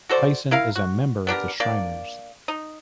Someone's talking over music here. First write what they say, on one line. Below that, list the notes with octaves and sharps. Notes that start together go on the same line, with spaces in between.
Tyson is a member of the Shriners.
F#4 A4 C5 D5
E4 A#4 F5
F#4
B3 D4 G4 A#4
A#3 D4 D5
D#4